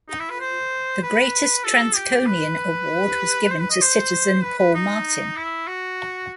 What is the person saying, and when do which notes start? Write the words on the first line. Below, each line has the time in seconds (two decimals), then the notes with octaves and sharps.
The Greatest Transconian award was given to citizen Paul Martin.
0.09 D#4
0.19 E4
0.30 B4
0.40 C5
1.03 B4
1.64 A4
1.95 G4
2.26 B4
3.50 C5
3.60 B4
3.70 D#5
3.81 C5
4.43 B4
4.58 B4
4.74 D#4
5.36 E4
5.67 F#4